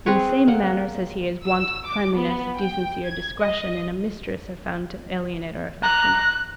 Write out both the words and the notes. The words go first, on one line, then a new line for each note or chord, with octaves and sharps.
In the same manner, says he, as want of cleanliness, decency, or discretion in a mistress are found to alienate our affections.
C4 G#4 B4 C#5
A#3 F#5
E6
D6
B3
G5
G#6
D#5
A#5 F#6